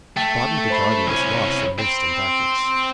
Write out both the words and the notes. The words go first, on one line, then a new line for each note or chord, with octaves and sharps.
The bottom of the garden was lost in mist and darkness.
A3 G5
C5 B5 C7
C2 C#4
C4